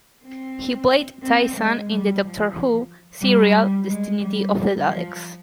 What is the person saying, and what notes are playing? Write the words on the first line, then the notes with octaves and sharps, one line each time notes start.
He played Tyssan in the "Doctor Who" serial "Destiny of the Daleks".
C4
C4
G#3
G3
F3
G3
G#3
G3
F3